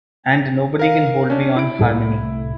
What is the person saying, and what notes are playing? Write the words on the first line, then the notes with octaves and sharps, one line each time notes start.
And nobody can hold me on harmony.
A#4 F5
C#4 D4
E4 D7
C2 A2